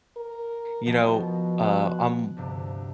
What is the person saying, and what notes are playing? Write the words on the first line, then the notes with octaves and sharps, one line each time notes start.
You know, uh, I'm
A#4
B2 F3 B3 A#6
F#5
D2 G2 C3